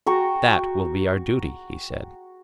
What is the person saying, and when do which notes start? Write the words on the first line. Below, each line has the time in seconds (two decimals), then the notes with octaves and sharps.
That will be our duty, he said.
0.06 F#4 G5 A#5 C#6